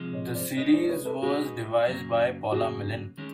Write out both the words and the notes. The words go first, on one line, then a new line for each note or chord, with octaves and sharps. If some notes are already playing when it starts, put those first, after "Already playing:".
The series was devised by Paula Milne.
Already playing: C3 F3 G#3
C#5 D#5
C5 D5
B2 G#3 B3 D#4 C#5 D#5
C5 D5
D5
B4 C#5
A4 B4
B2 G#3 B3 D#4 F#4 G#4
F#2 C#3 F#3 A#3
F#2 C#3 F#3 A#3 F#4 G#4
D#3 G#3 C#4